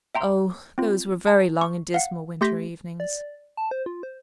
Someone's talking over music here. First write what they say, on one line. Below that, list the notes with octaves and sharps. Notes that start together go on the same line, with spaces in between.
Oh! those were very long and dismal winter evenings!
E5 G5 A#5 C6
C4 F4
A5
C#6
F5 F#5
A3 G4 C6 G6 A#6 B6
D5
A5
C5
F4
C5